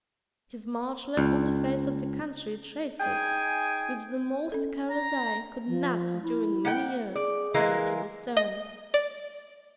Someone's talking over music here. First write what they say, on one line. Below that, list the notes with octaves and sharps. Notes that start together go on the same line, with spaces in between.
His march left on the face of the country traces which the most careless eye could not during many years fail to discern.
C#2
D#4 G#4 G5 G#5
C#4 A4
A#5
F3
E4
A#3 F#5 G5
G#4 D5
E3 G#3 A#3
D#5
D5